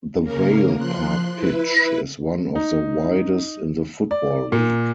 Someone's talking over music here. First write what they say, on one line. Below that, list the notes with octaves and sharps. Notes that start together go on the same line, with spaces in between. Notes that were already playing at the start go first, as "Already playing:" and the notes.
The Vale Park pitch is one of the widest in the Football League.
C#3 A#3 A#4
F3 C6 F#6
E4 B4
D#4
D5
A#2